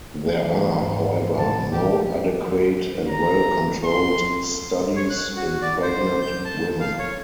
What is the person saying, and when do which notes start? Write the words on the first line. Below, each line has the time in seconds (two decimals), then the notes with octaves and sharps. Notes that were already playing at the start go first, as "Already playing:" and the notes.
There are, however, no adequate and well-controlled studies in pregnant women.
0.43 E3 F3 A3
0.82 G#2
1.38 A2 F3 G#3 A5
1.71 G4
3.08 A#5
3.84 C6
4.96 C#5
5.10 F#6
5.36 F#4
5.62 D5
5.83 C5
6.22 G6
6.45 A5
6.80 F5
6.99 C#5